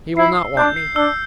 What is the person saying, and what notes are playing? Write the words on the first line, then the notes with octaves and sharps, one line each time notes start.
"He will not want me."
E4 C7
E6
D4 G6
C7
D4 E6